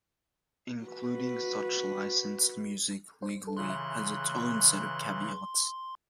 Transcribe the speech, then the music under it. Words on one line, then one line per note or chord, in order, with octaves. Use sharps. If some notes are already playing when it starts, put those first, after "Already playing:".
Including such licensed music legally has its own set of caveats.
F#4 B4
C#3 E3 C6 F#6